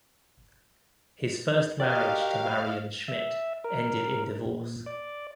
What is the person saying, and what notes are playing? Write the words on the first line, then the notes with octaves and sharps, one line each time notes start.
His first marriage to Marion Schmidt ended in divorce.
F#4 G4 A#4 D5 D#5 F5 G5
E5
A#4
A#2
D5